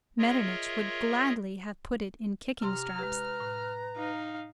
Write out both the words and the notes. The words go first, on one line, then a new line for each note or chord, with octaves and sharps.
Metternich would gladly have put it in kicking-straps.
F4 G#4 A#4 C#5 D#5 E5
C3 G4 A#5 C6 F6
G#3 G4 B4
A2
D#4 F5